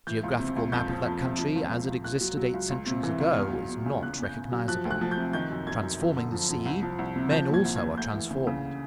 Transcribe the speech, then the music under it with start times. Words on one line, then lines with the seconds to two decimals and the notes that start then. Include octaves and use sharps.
A geographical map of that country as it existed eight centuries ago is not recognizable. Transforming the sea, men also are transformed.
0.07 E3 G6
0.23 C#2
0.39 C3
0.56 C#2
0.72 F2 G6
0.89 F3
1.06 F2
1.22 C3
1.39 F3
1.56 C#2
1.71 C#2
1.88 C#2
2.04 C#2 F#6
2.21 F#3
2.37 F#3
2.54 C#2
2.70 C#2
2.86 C3
3.03 E3
3.20 C#2
3.37 E2 F6
3.53 F#3
3.69 E2
3.86 C#3
4.03 E2 F#6
4.19 E2 G6
4.35 E2
4.52 F#3
4.68 F3 F#6
4.85 D2
4.91 F#6
5.01 F3
5.11 G6
5.17 C3
5.33 D#3 G6
5.51 F#2
5.67 F#2 G#6
5.83 F#2
6.00 F2
6.16 D3
6.32 F3
6.49 F2
6.65 C2
6.83 F3
6.99 C2
7.16 C3
7.31 F3 G6
7.49 A#2
7.54 G#6
7.64 C2
7.76 A#2 G#6
7.97 D2 G6
8.13 E3
8.31 C#3
8.47 C#3